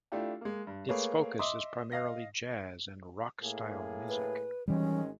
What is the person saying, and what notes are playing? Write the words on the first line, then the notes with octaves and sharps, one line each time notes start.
Its focus is primarily Jazz and Rock style music.
A3 D4 E4 F4 G4
G#3 A#3
G2
A3 A#3 G#4 B4 C#5
D#5 E5 C6 D6 D#6
D#5 F5 A#6
A2 A#3 G#4
B4
G#1 D#3 E3 G3 G#3 C#4